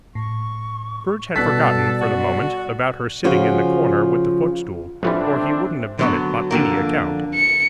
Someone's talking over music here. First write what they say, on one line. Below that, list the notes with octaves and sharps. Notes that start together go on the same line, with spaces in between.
Scrooge had forgotten, for the moment, about her sitting in the corner with the footstool, or he wouldn't have done it on any account.
A2 C#6
B2 G3 A4 D5 F#6 B6
F#4
C#3 F3 F#4
A1 E3 F3 G3 A3 C4 D4 F4
D3 F#3 B3
F2 D3 A#3
C#7